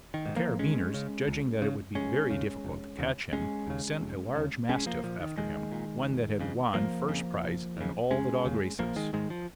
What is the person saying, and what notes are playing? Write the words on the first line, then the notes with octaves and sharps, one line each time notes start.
The Carabineers, judging that it would be very difficult to catch him, sent a large Mastiff after him, one that had won first prize in all the dog races.
D#3
G#2
F3 A#3
C#2 G#3 C#4
C#3
C#2
C#3
F1 G#3 C#4
D#2 C#3
F1
D#2 C#3
F1 G#3 C#4
D#2 C#3
F1
D#2 C#3
A#1 G#3 C#4
F3 A#3
A#2 F3
D#3
A#1 D#3 G#3
A#2
F1
F2 C#3
F1 F3 A#3
F2 C#3
F1
D#2 C#3
F1 G#3 C#4
D#2 C#3
A#1 F3 A#3
D#3 G#3
G#2 D#3 G#3
F3